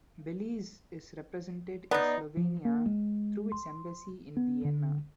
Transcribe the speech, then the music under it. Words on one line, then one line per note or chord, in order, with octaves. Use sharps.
Belize is represented in Slovenia through its embassy in Vienna.
B3 D#4 D5 A#5
F3
A#3
G#3
C6
B3
D3